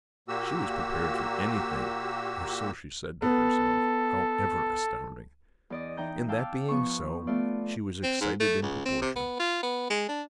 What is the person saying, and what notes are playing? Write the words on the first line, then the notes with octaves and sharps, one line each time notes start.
She was prepared for anything, or so she said to herself, however astounding; and, that being so, she was excited in proportion.
A#2 A#3 F#4 G4 E6
B3 A4
E2 D5 D#5
E3 D#4 G5 A#5 G6
F5 G5 A5 D6 E6
F3 B3 C#6
A3 B3 F4 D5
C4
G#2
A3
C#2
C4
C3
B3
F4
B3
G#3
D4